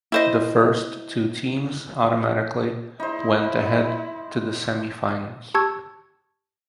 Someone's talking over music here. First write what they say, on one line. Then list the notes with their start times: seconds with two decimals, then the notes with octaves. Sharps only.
The first two teams automatically went ahead to the semi finals.
0.12 E4 C5 D#5
3.00 D#4 E4 C5
5.54 G4 A5 C#6 E6 G#6